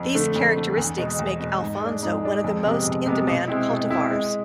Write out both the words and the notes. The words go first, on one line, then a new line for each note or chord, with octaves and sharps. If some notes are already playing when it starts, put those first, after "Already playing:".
These characteristics make Alphonso one of the most in-demand cultivars.
Already playing: F2
D3 A3
F2
D3 A3
E2
B2 G#3
E2
B2 G#3
G#2
G#3 D4
G#2
G#3 D4
F2
C3 G#3 B3
F2
C3 G#3 B3
B2
G#3 C4 E4
B2
G#3 C4 E4
G#3